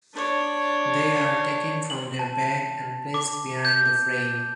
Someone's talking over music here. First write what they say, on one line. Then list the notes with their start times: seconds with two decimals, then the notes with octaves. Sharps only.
They are taken from their bag and placed behind the frame.
0.14 D4 C#5
1.90 F#7
2.19 A5
3.14 D6
3.65 G6